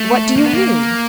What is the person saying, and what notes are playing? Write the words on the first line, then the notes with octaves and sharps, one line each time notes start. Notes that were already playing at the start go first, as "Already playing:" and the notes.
"What do you mean?"
Already playing: A3
A#3
B3
A#3